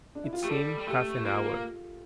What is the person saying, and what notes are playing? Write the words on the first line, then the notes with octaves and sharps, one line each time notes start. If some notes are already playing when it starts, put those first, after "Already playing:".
It seemed half an hour.
D4
E4
F4
A3 G4
G3 A4
G3
A3 G4
A#3 F4